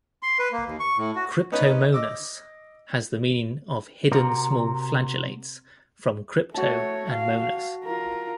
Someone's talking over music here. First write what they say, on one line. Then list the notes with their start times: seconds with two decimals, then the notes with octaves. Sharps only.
"Cryptomonas" has the meaning of hidden small flagellates from "crypto" and "monas".
0.23 C6
0.39 B4
0.52 A#3
0.65 D#2
0.80 C#6
0.97 A2
1.16 F#4
1.52 B3 C#4 D#4 B4
1.92 D#5 D6 E6
4.12 C3 F#4 A#4
6.54 A3 F#4 C#5 A5
7.10 F5
7.84 F4 A#4